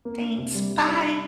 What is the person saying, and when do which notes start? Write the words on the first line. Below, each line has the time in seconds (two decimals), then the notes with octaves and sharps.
Thanks, bye.
0.05 A#3
0.21 D4
0.38 C3
0.55 G3
0.70 G3
0.87 D4